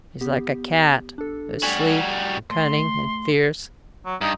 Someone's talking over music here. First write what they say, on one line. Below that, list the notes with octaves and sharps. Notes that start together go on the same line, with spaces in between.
He's like a cat,--as sleek, and cunning, and fierce.
B3 G4
D4 A4
G3 F#4 G#5 G#6 B6
A3 C6
F#3
G2 D#4